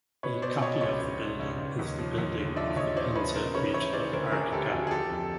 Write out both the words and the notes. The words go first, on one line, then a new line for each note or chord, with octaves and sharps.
A copy of the building is the building of the Penza Regional Art Gallery.
B2 B4 C#5
B2 C5 D5
B2 C#5 D#5
C#2 C#5 D#5
C#2
C#2
C#2
C#2
D#2
F3
D#2
D3
F3 D5 E5
D#2 C#5 D#5
F3 C5 D5
F3 B4 C#5
C#3 A#4 C5
C#3 B4 C#5
E3 B4 C#5
C#3 C5 D5
D2 A#4 C5
D2 G#4 A#4
D2 G4 A4
D2 F#4 G#4
G#4
F3 G4 A4
F2